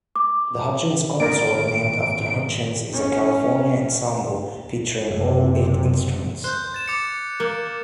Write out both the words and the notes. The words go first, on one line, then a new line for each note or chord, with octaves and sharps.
The Hutchins Consort, named after Hutchins, is a California ensemble featuring all eight instruments.
D6
G#1 A#3 A#4 D5 D7
C#4
F#1 C3
C5 F#6 G6
A6 E7
D6 A6 C#7
A#3